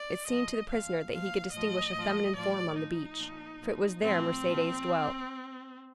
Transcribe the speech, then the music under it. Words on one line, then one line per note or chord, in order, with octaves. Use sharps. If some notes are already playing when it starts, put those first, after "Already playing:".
It seemed to the prisoner that he could distinguish a feminine form on the beach, for it was there Mercedes dwelt.
Already playing: D5
A2 F3 D#5
A#2 F3 F5
A#2 F3 F5
A2 F3 D#5
A2 F3
A2 F3 D5
A2 F3 D#4
A#2 F3
A#2 F3
A2 F3 C4
A#2 F3